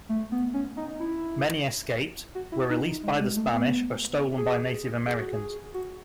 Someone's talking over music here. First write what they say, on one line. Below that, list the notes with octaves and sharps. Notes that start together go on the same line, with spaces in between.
Many escaped, were released by the Spanish or stolen by Native Americans.
A3
B3
C#4
D#4
E4
F#4
E4
D#4
G#3
G#3
A3
B3
G#4
G#4
F#4
G#4
F#4